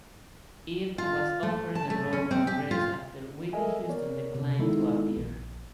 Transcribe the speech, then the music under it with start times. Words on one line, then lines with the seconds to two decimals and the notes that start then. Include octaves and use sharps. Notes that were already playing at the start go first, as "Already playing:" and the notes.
Eve was offered the role of Grace after Whitney Houston declined to appear.
0.98 F4
1.43 A3
1.75 A5
1.90 A3
2.13 C#4
2.31 C4
2.47 G4
2.71 F4
3.53 A4 A#4 D#5 E5 G#5
3.89 B3 A#4 C#5 D5
4.35 C3
4.59 D#3 G#3 B3 D#4 E4 A4
5.16 A#1